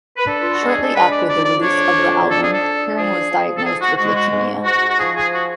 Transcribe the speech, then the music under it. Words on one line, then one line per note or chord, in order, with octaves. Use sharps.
Shortly after the release of the album, Hearn was diagnosed with leukemia.
B4
D4 A4
F4
F#4
G#3
G#4
A4
D4 B4
D5
F2 D5
D5
D4 C#5
F2
D4 A4
G#4
A4
D4
F3 G#4
F3
A4
G#2 G#4
F#4
G#3 F#4
F#4
G#2
G#2 F#4
F#4
F3 G#4
G#4
F#4